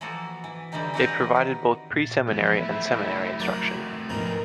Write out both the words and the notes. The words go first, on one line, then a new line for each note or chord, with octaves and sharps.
It provided both pre-seminary and seminary instruction.
E3 F3 A#3 F#4 A4
E3
D3 E3 G3 A#3 D#4 G4
E3 C4 F#4 G4 A#4 B4
D#3
A#2 A6
E3 F3 G#3 B3 E4
A3 C4
F#3 F#4 A#4 D5
G#2 B2 E3 F3 D4 D#4 A#4